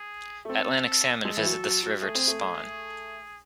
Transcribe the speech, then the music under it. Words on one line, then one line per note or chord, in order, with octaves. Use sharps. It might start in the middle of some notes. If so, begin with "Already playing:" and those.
Atlantic Salmon visit this river to spawn.
Already playing: G#4
A3
C4 A4
G#3 A4
E3
F#3
F#3
F#3
A3 G#4
C4
A3